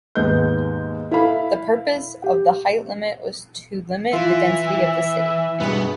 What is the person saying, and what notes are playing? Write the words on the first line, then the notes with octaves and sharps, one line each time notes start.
The purpose of the height limit was to limit the density of the city.
D#2 G#2 B3 D#5 G6
E4 A4 F5 B5
G4
E3 F4 E5
G2 B2 G#3 B3